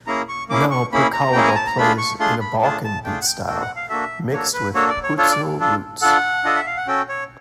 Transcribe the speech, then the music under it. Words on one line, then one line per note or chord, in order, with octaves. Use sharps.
Now Perkalaba plays in a Balkan beat style mixed with Hutzul roots.
A#3 C#4 E4 G#4 A#5
C#6
A#3 C#4 E4 G#4 D6
C#6
A#3 C#4 E4 G#4 B5
A#5
A#3 C#4 E4 G#4 G5
G#5
A5
A#5
A3 D4 F4 G#4 B5
C#6
A3 D4 F4 G#4 C6
B5
A3 D4 F4 G#4 A5
A5
A3 D4 F4 G#4 G5
F#5
G5
A#3 D4 F#4 A4 G5
F#5
F5
A#3 D4 F#4 A4 E5
A#3 D4 F#4 A4 C#5
B4
A#3 D4 F#4 A4 C#5
D5
C#5
D4 F4 A4 C#5
D5
D4 F4 A4
D4 F4 A4 F#5
D4 F4 A4 D#5
E5
F5
F#5
C#4 F#4 A4 G5
C#5